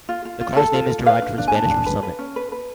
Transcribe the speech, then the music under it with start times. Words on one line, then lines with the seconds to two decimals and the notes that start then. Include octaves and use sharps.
The car's name is derived from Spanish for "summit".
0.09 F4
0.25 F4
0.41 F4
0.57 A4
0.74 F4
0.90 F4
1.06 B4 F5
1.22 D4
1.38 D4
1.48 G#5
1.55 D4 A5
1.70 D4
1.86 B4
2.03 B4
2.19 C#4
2.36 B4
2.52 B4